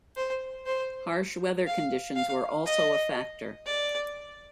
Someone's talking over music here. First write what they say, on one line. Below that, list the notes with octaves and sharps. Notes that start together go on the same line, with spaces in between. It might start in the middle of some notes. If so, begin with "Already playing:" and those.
Harsh weather conditions were also a factor.
C5
C5
F5
F5
D#5
D5